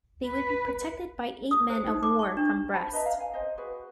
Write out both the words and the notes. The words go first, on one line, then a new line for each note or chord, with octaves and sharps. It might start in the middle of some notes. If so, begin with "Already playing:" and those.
They would be protected by eight men-of-war from Brest.
B4
D#6
C5
D#4
D6
C#6
D4
C5 A5 B5
B4 D#5 E5 A#5
F5
G#5
C5 D#5
F#4 G#4 B4